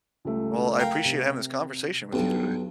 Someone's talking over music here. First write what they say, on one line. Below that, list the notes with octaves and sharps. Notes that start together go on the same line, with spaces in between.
Well, I appreciate having this conversation with you today.
C#2 G3 A3
A#4 F5 G5
C3
B1 G2 B3 D4 G4